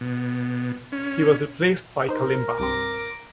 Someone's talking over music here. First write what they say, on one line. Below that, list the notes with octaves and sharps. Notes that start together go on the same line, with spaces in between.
He was replaced by Kalimba.
B2
C#4
D#4 A#4 C5
C2 G2 C4 D6 A#6